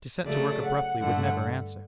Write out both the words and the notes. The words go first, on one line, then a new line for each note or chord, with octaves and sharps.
To set to work abruptly would never answer.
C#3 F#3 A3 D5
F#5
G2 D3 A3 F#5